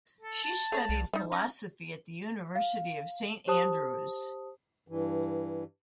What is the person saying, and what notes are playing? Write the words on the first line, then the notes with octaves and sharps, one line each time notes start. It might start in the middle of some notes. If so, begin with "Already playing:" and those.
She studied philosophy at the University of St Andrews.
A4
A5
A3 G#4 C#5
C2
G3 D#4 E5
C#4 A#5
F5
G4 C5 A5 D#6
G2 E3